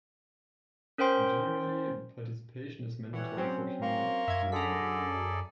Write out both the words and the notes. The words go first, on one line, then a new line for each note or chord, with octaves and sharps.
Generally, participation is mandatory for community members.
C#4 A#4 C5 G5 C6
E3 G3 C#5 F#5
F#3 C4 C#4
A#3 A#5 C6 C#6
F#2 E5 G#6
D3 G#4 A4 D5 A#5 B6